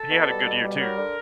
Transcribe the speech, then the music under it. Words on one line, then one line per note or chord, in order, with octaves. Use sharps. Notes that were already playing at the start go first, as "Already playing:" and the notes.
he had a good year too.
Already playing: A4
B2
G3
B2
G3
F#3 A#4
D3